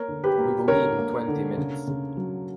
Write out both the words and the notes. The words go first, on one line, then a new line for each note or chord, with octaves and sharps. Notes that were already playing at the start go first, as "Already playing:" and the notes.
We will leave in twenty minutes.
Already playing: A#3 A#4 C#5
D3
G4 B4
A#3
D3 A#4 C#5
A#3
D3
C#3
C#3
F#3